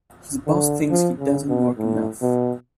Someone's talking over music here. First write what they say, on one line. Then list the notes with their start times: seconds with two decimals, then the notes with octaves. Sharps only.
His boss thinks he doesn't work enough.
0.47 D3
0.90 F3
1.19 C#3
1.49 B2
1.78 A2
2.21 B2